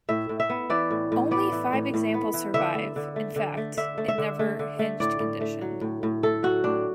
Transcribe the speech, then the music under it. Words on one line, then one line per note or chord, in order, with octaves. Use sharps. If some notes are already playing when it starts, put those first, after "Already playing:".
Only five examples survive, in fact, in never hinged condition.
A2 E5
A2
E5
B3
E3 D5
A2
A2
B3 D5
E3
A2
A2
B3
E3
D3 E5
A3
D3
A3
D3
A3
D3 E5
A3
E5
D3
A3
D3
A3
A2 D5
A2
A3
F#3
A2
A2
A3 A4
F#3 F#4
A2 D4